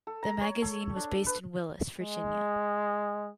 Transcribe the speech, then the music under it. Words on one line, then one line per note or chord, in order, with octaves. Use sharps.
The magazine was based in Willis, Virginia.
A4
A#5
C#5
A4
D4
B4
G#3